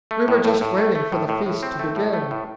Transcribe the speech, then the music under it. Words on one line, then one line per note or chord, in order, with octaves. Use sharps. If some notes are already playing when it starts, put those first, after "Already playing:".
We were just waiting for the feast to begin.
A3
A2
A2
A2
A3
A3
A2
A2
A2
C4
A3
A2
A3
A2